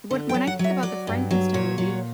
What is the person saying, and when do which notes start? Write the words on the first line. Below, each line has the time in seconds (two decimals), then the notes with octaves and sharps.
When when I think about the Frankenstein movie,
0.11 D3
0.29 G5
0.34 F#3
0.47 F#5
0.59 F#3 E5
0.83 F#3 D5
1.07 G2
1.31 F#3
1.54 A#2 C#5
1.78 F#3